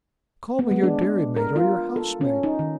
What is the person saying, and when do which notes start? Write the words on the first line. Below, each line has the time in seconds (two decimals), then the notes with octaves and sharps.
Call me your dairymaid or your housemaid.
0.59 B3
0.71 G#3
0.83 D4
1.02 D4
1.36 A#4
1.56 F4
1.96 A4
2.21 C#4
2.44 D#4
2.59 D#3